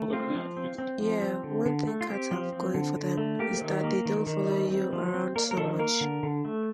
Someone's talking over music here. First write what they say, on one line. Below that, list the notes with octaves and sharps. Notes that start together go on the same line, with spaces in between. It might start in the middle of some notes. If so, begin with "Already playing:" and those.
Yeah, one thing cats have going for them is that they don't follow you around so much.
Already playing: A3
C4 F4
F3
C4
C4
F3
C4
D3
D3
A3
F4
C4 G4
F3
C4
D3
D3
A3
A#3 G4
D#3
A#3
D#3
D#3
G3
C4
F3
C4
A#3 A#4
A#4
D#3 A4
A#3 A#4
D3
D3
A3